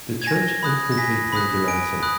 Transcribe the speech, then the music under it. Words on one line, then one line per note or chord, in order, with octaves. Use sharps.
The Church instantly paid the ransom.
G#6
G#5 A#6
B5 D#6 F#6
A#6
G#5 B6
B5 D#6 F#6
G#5 D7
B5 D#6 F#6